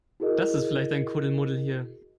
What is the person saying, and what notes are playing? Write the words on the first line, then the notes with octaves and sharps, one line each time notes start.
Das ist vielleicht ein Kuddelmuddel hier.
E4 F#4 G#4 A#4 D#5